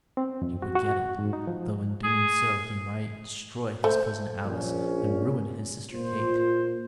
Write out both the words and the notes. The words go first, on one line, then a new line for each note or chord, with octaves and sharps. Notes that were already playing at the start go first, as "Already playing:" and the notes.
He would get it; though in doing so he might destroy his cousin Alice and ruin his sister Kate.
C4
F2
F#4
F#4
G#2
D#4
F3
G#4
A3 C5
A#1 C#4
A#2 F4 C5